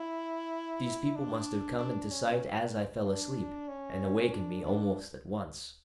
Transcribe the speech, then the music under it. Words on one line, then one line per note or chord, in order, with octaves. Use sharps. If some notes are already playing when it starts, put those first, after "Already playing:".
These people must have come into sight as I fell asleep, and awakened me almost at once.
Already playing: E4
D4
D4
C#4
D4
C#4
D4
D4